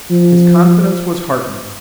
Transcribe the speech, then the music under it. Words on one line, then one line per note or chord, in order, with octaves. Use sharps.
His confidence was heartening.
F3